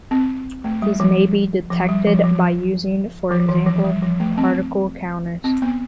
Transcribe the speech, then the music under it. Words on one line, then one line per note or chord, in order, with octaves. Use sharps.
These may be detected by using for example particle counters.
C4
A3
G3
F3
F3
G3
F3
F3
F3
E3
F3
G3
F3
A3
C4
C4
B3